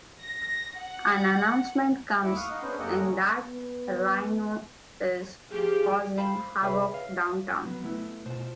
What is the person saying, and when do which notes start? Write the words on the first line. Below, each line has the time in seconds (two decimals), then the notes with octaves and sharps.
An announcement comes in that Rhino is causing havoc downtown.
0.21 A#6
0.78 F#5
2.23 D#2 A3 E4 E5 F#5 D6
2.36 F5 F#5 C#6 D#6 F6
2.50 D#4 D#5 F5 F#5
2.63 B3 C#4 D4 G#4 B4 C5
2.79 F#2 A#3 G4 A4 D#5 F#5
2.98 D2 G#3 A#3 C#4
3.43 B3
5.51 F3 G4 G#4
6.17 C5 F5 B5
6.62 C2 G#4 B4 C#5 E5 B5
6.93 B4 F5
7.65 F#3 B3
7.84 A3 B3 E4
8.26 B2 F4 C5 A5